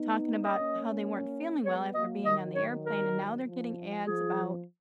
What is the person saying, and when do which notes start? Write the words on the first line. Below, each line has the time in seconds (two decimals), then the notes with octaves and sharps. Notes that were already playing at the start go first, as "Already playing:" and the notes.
talking about how they weren't feeling well after being on the airplane, and now they're getting ads about
Already playing: B3 D#4
0.43 A#3 C#4 D#5
1.64 G#3 B3 C#5
1.94 F#3 A#3 D#5
2.25 D#3 F#3 D#5
2.55 C#5
2.86 A#4
3.46 F3
4.06 F3 G#4